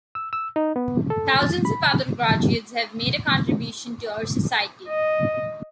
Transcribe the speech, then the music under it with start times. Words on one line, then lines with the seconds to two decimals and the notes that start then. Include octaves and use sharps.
Thousands of other graduates have made a contribution to our society.
0.15 E6
0.33 E6
0.56 D#4
0.76 B3
1.10 A4
1.41 A6
1.65 B5
4.88 D#5